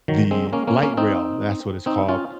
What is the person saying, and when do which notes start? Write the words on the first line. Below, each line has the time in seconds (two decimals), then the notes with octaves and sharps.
the Light Rail that's what it's called,
0.08 D#3 F#3
0.31 G#3 C4
0.53 A#3 C#4
0.67 A#3 C#4
0.83 A#3 C#4
0.97 C4 D#4
1.86 C4 D#4
2.09 C#4 F4